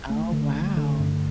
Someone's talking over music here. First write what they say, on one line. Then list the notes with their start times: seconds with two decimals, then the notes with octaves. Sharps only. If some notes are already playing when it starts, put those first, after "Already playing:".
Oh, wow.
Already playing: A1
0.10 A3
0.32 D3
0.55 G1
0.77 D3
0.99 G2